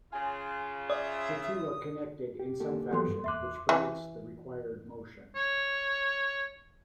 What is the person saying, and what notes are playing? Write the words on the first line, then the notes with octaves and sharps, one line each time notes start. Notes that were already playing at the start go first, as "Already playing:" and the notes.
The two are connected in some fashion which permits the required motion.
C#3 F4 G#5
D5 E5 D#6
G4
A#3 G4 A4
E3 F#3 B3 G4 A4 C6
G2
E2 E5 C6 D6 F#6
E3
C#5